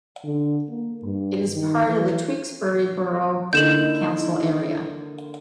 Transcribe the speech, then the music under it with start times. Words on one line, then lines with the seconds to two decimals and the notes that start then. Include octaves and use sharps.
It is part of the Tewkesbury Borough Council area.
0.24 D3
0.69 A#3
1.03 G2
1.53 D#3
1.86 E3
3.53 D3 A#3 D#4 E4 D#5 G6 E7 F#7